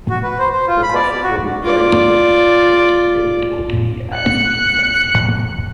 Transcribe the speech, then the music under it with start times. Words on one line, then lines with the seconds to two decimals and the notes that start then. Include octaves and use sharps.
The questions will be thirty and they will be as a test.
0.10 F#4
0.23 B4
0.39 C5
0.52 C5
0.67 F4
0.83 B5
0.95 D5
1.10 D5
1.23 F#4
1.63 F4 D5
4.15 F#6 C#7